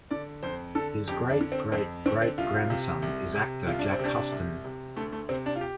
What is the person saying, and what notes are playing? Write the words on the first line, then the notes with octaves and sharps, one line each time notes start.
His great-great-great-grandson is actor Jack Huston.
D3 D5
F2 C5
D3 A4
F2 G4
D4
D3
C4
F2 C4
D3 C4
C4
C2 F4
C3
C2
C3
C2 F4
D4
C4
C3
D4
C2
C3
D2 A3
A3
C3 C4
D4
F4
G4